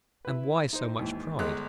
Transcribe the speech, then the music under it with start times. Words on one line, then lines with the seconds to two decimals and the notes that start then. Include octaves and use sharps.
And why so much pride?
0.25 E4 B4
0.73 D#4 C5
0.99 D#2 G#2 E3
1.39 G1 G#3 F#6